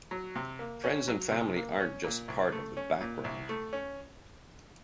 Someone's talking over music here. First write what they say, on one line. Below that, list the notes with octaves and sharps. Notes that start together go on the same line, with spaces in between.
Friends and family aren’t just part of the background.
F#3
C3
A#3
C#4
F#3
C3
A#3
C#4
A#2
C2
A3
C#4
A#2
C2
A3
C#4